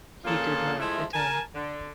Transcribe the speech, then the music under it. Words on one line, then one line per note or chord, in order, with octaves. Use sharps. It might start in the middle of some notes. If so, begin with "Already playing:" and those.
He did not attend.
A#2 C#3 F3 A#3 F4 A4
F3 G#3 A3 E4
A#4 G#5 A5
D3